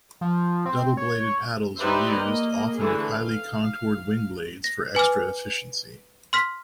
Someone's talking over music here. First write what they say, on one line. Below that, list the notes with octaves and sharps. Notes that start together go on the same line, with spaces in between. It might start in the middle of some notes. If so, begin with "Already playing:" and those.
Double-bladed paddles are used, often with highly contoured wing blades for extra efficiency.
F3
C4
C#5
D#4 G4 B4 C5 D5 E5
A#3 D#5
D3 E3 A3 E4 G#4
F5
A#6
B4 G#5 D6 F6
C6 F6 B6